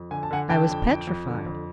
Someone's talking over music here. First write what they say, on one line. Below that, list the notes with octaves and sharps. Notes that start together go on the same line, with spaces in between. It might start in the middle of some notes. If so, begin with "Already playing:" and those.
I was petrified.
Already playing: F2
D3 G#5
A5
D3 F#5 G#5
D3 G5 A5
F2
F2
F2
D3
F2